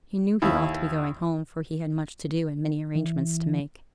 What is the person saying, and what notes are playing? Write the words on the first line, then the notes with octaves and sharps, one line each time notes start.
He knew he ought to be going home, for he had much to do, and many arrangements to make.
D#2 E4
E3